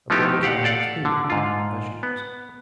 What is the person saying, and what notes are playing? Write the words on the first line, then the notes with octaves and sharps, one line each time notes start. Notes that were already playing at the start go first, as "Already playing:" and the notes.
A boy carrying two green vegetables.
F3 A3 B3 D#4 E4 G4
G4 F5 F#5
A4 D5 F5 F#5
D3
G#2 F4
B3